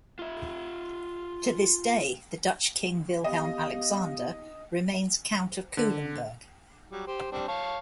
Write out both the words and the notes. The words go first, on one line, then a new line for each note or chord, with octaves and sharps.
To this day, the Dutch king Willem-Alexander remains count of Culemborg.
F4 E5
B3 G4 D#5 F5
D3
F#3 G3
G4 C5
G3 C4 D4
C#5 F5 A5